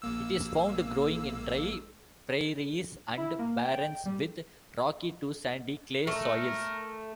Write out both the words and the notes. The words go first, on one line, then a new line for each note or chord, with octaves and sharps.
It is found growing in dry prairies and barrens with rocky to sandy-clay soils.
A#1 A#3 E6
E4
A#3
G5
G3
A3 A#4